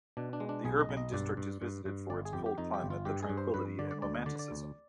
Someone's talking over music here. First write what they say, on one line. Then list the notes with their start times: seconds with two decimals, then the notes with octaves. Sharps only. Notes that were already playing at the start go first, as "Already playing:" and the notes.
The urban district is visited for its cold climate, the tranquility and romanticism.
0.17 B2 D4
0.33 D4
0.40 G#3
0.49 D4
0.65 B1 G#4
0.80 D#5
0.89 B1
0.97 D#5
1.13 G2 D5
1.37 G2
1.62 G2
1.85 G2
2.10 G1 D5
2.25 G#4
2.33 F2 G4
2.46 G4
2.58 F2 D#4
2.74 G4
2.82 G1
2.90 F4
3.05 G2 G4
3.23 G#4
3.29 G2
3.37 C5
3.54 G2 B4
3.79 D3 D5
3.91 D5
4.02 D2 D5
4.15 D#5
4.26 D3 D5
4.39 D5
4.51 D2